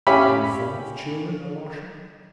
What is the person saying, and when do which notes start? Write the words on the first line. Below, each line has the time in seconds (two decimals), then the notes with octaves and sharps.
Are you fond of children, Alyosha?
0.07 C#4 G4 E5 F5 B5